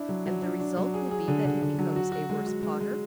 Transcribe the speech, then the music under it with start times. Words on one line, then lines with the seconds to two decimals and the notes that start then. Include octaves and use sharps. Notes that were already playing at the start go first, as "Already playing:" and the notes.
And the result will be that he becomes a worse potter?
Already playing: D4 E4
0.09 F#3
0.26 F#3
0.42 D4
0.60 D4
0.77 F#3
0.94 G#4
1.11 G#4
1.28 D3
1.45 D3
1.62 D3
1.79 F#3
1.96 F#4
2.12 F#4
2.29 G#3
2.47 F#4
2.63 G#3
2.80 G#3